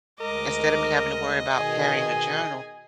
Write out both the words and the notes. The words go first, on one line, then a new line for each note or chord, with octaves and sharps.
instead of me having to worry about carrying a journal,
D2 G#3 A#4 D#5 D6
B2 D#3 G#4 G#5